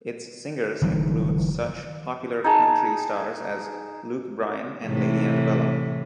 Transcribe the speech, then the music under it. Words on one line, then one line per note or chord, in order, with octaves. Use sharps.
Its singers include such popular country stars as Luke Bryan and Lady Antebellum.
F#1 D#3 F3 G3
D#4 G#4 A5
A2 C3 E3